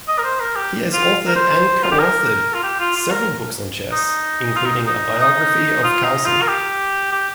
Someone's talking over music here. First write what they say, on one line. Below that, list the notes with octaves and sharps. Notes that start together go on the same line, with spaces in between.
He has authored and co-authored several books on chess, including a biography of Carlsen.
D#5
A#4
C5
A#4
G4
F4
A#4
C5
F4
G4
A#4
F4
G4
F4
F4
A#4
D#4
F4
D#4
D#4
D#4
F4
D#4
F4
A#4
G4
G4